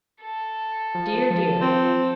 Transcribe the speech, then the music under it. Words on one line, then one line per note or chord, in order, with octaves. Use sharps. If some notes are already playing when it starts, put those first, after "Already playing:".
Dear, dear!
A4
F3
F3
C4